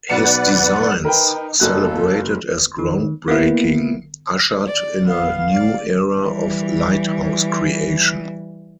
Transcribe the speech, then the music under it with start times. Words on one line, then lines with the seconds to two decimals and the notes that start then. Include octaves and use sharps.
His designs, celebrated as ground breaking, ushered in a new era of lighthouse creation.
0.10 B1 B4 D5 F#5 C#7
1.05 D#4 A#4 B4 G5
1.60 F#1 F#3 A#3 A4 F#6
2.78 D#3
3.28 A#3 B3 E4
4.67 D5
5.09 B3 F5
5.54 D5
6.17 E3 G3